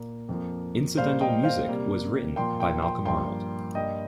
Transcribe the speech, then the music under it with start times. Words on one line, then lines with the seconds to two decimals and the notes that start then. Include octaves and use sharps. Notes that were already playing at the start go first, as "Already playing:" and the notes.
Incidental music was written by Malcolm Arnold.
Already playing: A#2 A#3
0.29 F2 F3 A#3
0.97 A#2 G3 A#3 C5 F5
1.21 D#5 G5
1.43 C5 F5
1.67 C3 G3 A#3
2.36 A#2 F3 A#3 G5 C6
2.60 G5 C6
2.82 G5 C6
3.05 G2 F3 A#3 G5 C6
3.75 G2 G3 A#3 D#5 G5